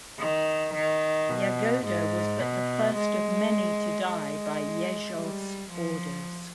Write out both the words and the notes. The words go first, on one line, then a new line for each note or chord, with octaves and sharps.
Yagoda was but the first of many to die by Yezhov's orders.
D#3
D#3
B2
G#2
B2
G#3
G#3
G3
F3